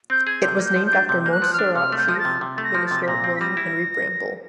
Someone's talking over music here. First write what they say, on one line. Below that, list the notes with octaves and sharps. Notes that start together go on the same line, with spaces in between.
It was named after Montserrat Chief Minister William Henry Bramble.
C4 G6
G#4 G#6
C3 G6
A#3
G6
F3
G6
D4
C3 G6
A#3 G6
F#6
F3
F6
D4
C3 F6
A3
G6
F3
A#6
A6
C3
C3
A3 A6
A#6
F3
C3 A6
B6
A#2 A#6
C4
B6
G3 A#6
E4